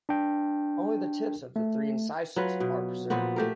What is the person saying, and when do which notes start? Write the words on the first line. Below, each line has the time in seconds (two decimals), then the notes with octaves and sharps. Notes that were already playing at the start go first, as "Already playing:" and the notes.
Only the tips of the three incisors are preserved.
0.09 D4 G5
1.56 A3
2.36 F#3 F4 B4
2.60 B2
3.10 A#2 F3 B3 F#4
3.36 A3 G4 A#4